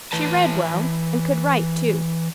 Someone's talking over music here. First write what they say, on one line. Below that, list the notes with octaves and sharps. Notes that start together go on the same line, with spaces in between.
She read well and could write, too.
E3 B4 A5